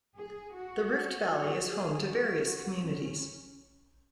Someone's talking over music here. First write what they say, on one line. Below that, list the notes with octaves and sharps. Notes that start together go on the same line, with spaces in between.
The Rift Valley is home to various communities.
G#4
F#4
F#4
G#4
F#4
C#4